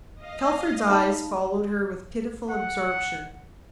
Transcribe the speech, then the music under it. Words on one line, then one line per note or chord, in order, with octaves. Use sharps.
Telford's eyes followed her with pitiful absorption.
D#5 F5
D#4 A5 B5
F#5